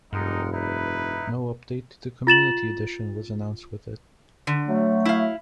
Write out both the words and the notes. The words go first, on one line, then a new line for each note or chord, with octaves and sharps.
No update to the community edition was announced with it.
F1 G2 G#3 D#4 A#4 F#5
D#4 E4 B4
F4 A6 E7 F#7
D3
F#3 A3
E4 F5